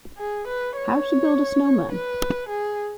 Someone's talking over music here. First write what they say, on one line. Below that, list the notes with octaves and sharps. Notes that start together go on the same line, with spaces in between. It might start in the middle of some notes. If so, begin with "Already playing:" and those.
How to build a snowman.
G#4
B4
C#5
B4
G#4